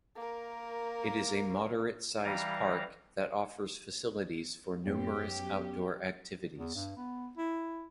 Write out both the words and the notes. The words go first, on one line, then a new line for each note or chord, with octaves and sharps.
It is a moderate-size park that offers facilities for numerous outdoor activities.
A#3 A#4
E3 G3 F5 A#5
F#2 F#3 B3 C#4 G4
E2
G2
B3
E4